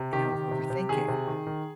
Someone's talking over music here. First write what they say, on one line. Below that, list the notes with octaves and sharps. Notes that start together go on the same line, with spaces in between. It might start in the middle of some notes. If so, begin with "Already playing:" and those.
you know, of overthinking
Already playing: C3
D#3 G4
D#3
C3
C3
D#3 G#4
C3
D#3
D#3